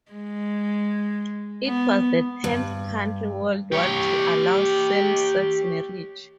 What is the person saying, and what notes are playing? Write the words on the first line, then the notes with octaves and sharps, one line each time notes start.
It was the tenth country worldwide to allow same-sex marriage.
G#3
B3
G2
G4 C#5